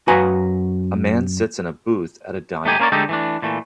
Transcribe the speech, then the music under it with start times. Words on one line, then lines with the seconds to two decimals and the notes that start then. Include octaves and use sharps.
A man sits in a booth at a diner.
0.08 F#2 F#4 B4 F5 G#5 A#5
2.65 A3 D#4 G4 G#5
2.80 A#3 C#4 A#4 C#5 D5
2.92 D3 G#3 A3 D#4 G4 A4
3.09 E3 A3 D4
3.42 A#2 E3 A3